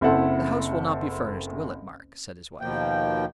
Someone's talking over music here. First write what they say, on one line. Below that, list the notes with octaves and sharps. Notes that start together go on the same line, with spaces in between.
"The house will not be furnished, will it, Mark?" said his wife.
F#1 C4 E4 A4 F#5
D#2 B2 F3 A#3 G5